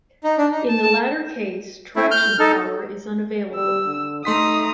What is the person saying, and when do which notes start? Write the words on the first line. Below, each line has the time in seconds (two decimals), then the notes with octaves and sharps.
In the latter case, traction power is unavailable.
0.24 D#4
0.38 D4
0.51 D#4
0.68 A5
0.82 A5
1.96 A3 E4
2.11 F6 G6
2.39 D#4 A4
3.56 G3 E6
3.86 D3
4.25 A3 D#4 A#5 C6 D#6 B6